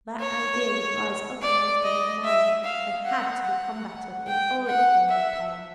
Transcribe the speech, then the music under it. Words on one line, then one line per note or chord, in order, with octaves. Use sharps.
That idea would rise uppermost in his mind, and had to be combated in all its forms of pain.
C#5
D5
D#5
E5
F5
F#5
F#5
G5
F#5
E5